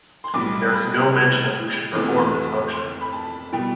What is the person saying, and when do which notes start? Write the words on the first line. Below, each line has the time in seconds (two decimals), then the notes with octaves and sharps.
There is no mention of who should perform this function.
0.24 C6
0.34 B1 A2 G3 D6
0.73 B5
1.13 E6
1.93 F1 F2 E3 A3
2.73 C6
3.01 B5
3.13 A5
3.52 B2 G3 G5